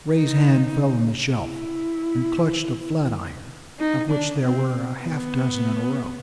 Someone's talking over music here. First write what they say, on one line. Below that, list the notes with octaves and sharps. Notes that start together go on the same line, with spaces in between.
Ray's hand fell on the shelf, and clutched a flat-iron, of which there were a half-dozen in a row.
D#4
E4
D#4
D4
C4
B3